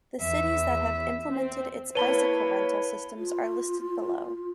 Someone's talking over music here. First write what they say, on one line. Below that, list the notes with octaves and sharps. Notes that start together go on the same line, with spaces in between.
The cities that have implemented its bicycle rental systems are listed below.
E2 E5
C4
A#3 E4 B4 C#5 A5 B5 D#7 G7
F4